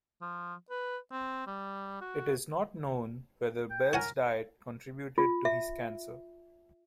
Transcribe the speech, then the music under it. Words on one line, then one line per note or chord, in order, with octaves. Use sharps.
It is not known whether Bell's diet contributed to his cancer.
F3
B4
C4
G3
F#4
G5
A#4 C#5 F#5 G#5
F4
E5